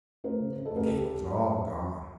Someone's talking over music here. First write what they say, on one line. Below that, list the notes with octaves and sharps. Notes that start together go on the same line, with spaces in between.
The cake was all gone!
A3 A#4 C5
C#3
C#3
A4 B4
A3
G#4 A#4
C#3 G4 A4